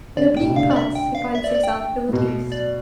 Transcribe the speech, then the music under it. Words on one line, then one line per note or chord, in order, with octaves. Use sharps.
In oblique paths he finds himself ill at ease.
D3 D5
A2
G5
B2
C3
D3 F5
D5
E5
G5
F5
E5
D5
D5
G5
A2
B2
D5